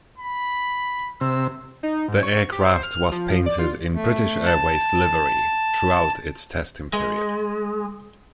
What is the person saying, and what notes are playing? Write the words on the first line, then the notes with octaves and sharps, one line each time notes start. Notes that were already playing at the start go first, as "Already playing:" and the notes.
The aircraft was painted in British Airways livery throughout its testing period.
B5
C3 E6
D#4
G#2
C#6
G4
C5
F6
F6
F3
F3
D5
F4
A3
A5
G#3